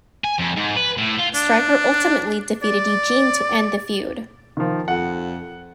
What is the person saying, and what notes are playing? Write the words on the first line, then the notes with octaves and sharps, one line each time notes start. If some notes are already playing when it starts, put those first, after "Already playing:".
Striker ultimately defeated Eugene to end the feud.
G#5
F2
G#2
B4
A2
F4
D4
D5
D#3 F3
F2 F#5